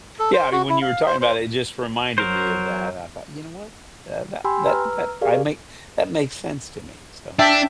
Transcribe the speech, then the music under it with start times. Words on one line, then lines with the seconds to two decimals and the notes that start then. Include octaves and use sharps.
Yeah, I mean when you were talking about it, it just reminded me of that. I thought, you know what? That that that that I make that makes sense to me so
0.19 A4
0.33 C5
0.52 F#4
0.69 E4
0.82 F5
1.06 C5
1.21 C5
2.18 F#3 A#4 C5
4.44 G4 G5 G#5 B5 C6 E6
4.65 B4 A#5 E6 F6
5.22 G4 G#4 A#4 D5 F5
7.39 D4 E5 G5 A5